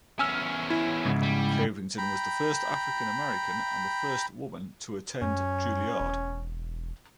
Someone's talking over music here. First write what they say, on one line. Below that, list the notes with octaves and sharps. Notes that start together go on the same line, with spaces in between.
Covington was the first African American and the first woman to attend Juilliard.
E2 C#4 G#5 E6 F6
E4
G#2 C#3
G3
G5 A#5 B5
F#2 C#4
E1